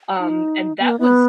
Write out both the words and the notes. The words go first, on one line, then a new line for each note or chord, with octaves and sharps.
Um, and that was
D#4
B3
A#3
B3